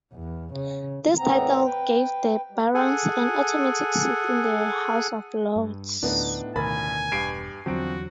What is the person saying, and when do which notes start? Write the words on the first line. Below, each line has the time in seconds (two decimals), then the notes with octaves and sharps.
This title gave the Barons an automatic seat in the House of Lords.
0.13 E2
0.54 C#3
1.18 E2 A2 B3 C4 A#5
1.65 B4 G5
2.50 G3 G#3
2.75 G#4 A4 F#5 G#5
5.56 G2
6.03 D2 A2 B3 D4 D#4
6.56 A1 D2 B2 D#3 A#4 G#5 B5 A6
7.12 E1 G2 G4 B4 C7 D7
7.66 E2 D3 F3 F#3 C4 F#4 D7